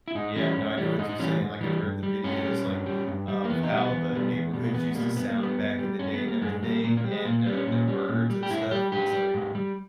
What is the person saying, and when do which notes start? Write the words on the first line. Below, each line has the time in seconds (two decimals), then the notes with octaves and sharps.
Yeah, no, I know what you're saying. Like, I've heard the videos, like, of how the neighborhoods used to sound back in the day and everything and, uh, the birds and stuff, it's like
0.08 E4
0.15 G#2 D#4
0.36 E3 G3 C#4
0.57 G#2
0.78 E3 G3
0.98 G#2 D#4
1.09 D#4
1.19 E3 G3 C#4
1.41 G#2
1.61 E3 G3
1.82 G2
2.03 G3
2.24 G2 C#4
2.45 G3
2.66 G2
2.86 G3
3.08 G2
3.28 G3
3.44 A#3
3.50 E2 B3
3.63 D#4
3.70 B2 G3
3.77 B3
3.91 E2
4.12 B2 G3
4.33 E2
4.53 B2 G3
4.64 A#3
4.74 E2 B3
4.95 B2 G3 A#3
5.16 G2 B3
5.29 A#3
5.38 G3
5.43 B3
5.58 G2
5.79 G3
5.99 G2 C#4
6.14 B3
6.21 G3
6.28 A#3
6.42 G2 G#3
6.63 G3 A#3
6.84 A#2 A#3
6.97 A#3
7.04 G3
7.11 G#3
7.25 A#2 A#3
7.39 A#3
7.46 G3
7.53 C#4
7.67 A#2
7.88 G3
8.09 A#2
8.30 G3
8.43 G4
8.50 G#2 E4
8.71 G3 G4
8.92 G#2 G4
9.13 G3
9.34 G#2
9.55 G3